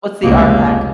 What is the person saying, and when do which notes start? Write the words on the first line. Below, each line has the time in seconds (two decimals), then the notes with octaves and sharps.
What's the RPAC?
0.23 F1 C#2 A#3